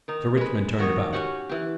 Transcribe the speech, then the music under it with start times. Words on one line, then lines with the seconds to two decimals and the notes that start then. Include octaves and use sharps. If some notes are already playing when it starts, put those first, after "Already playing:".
Sir Richmond turned about.
0.08 D#3 D#4
0.37 G#3 B4
0.78 D#3 F#4 C#5 D#5
1.13 C#4 F#4 G4 F#5
1.49 E3 G4